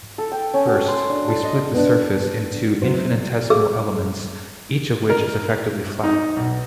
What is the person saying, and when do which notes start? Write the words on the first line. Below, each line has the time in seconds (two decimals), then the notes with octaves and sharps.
First, we split the surface into infinitesimal elements, each of which is effectively flat.
0.18 A4
0.32 G5
0.54 C#4
0.67 F#4
0.88 C6
1.09 D4
1.28 A4
1.44 D#5
1.74 B3 D4
2.82 C3 F#3 C5
3.50 G#4
5.09 A#4
6.04 D#4
6.36 B1